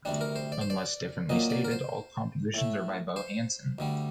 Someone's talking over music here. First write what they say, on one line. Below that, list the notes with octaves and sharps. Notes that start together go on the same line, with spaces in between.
Unless differently stated, all compositions are by Bo Hansson.
D2 C3 G3 D4
A#4
C5
D5
C5
D5
A#2 F#3 A#3 D#5
D5
A#4
C5
A2 A3
C5
D2 D3 G3